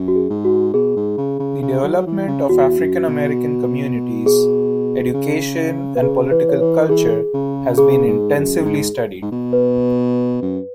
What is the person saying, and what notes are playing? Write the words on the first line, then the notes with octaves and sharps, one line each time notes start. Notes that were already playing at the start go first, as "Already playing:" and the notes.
The development of African-American communities, education and political culture has been intensively studied.
Already playing: F#2
F#4
G#4
G#2
F#4
B2 G#4
G#2
C#3
C#3
C#3
F#3
F#3
E3
C#3
E2 F#4
F#2
B2
G#4
C#3
B2 B4
C#3 G#4
E3 B4
C#5
E3 B4
E3 G#4
C#3
C#3 G#4
G#2
F#2
F#2
G#2
G#2
B2
B4
F#2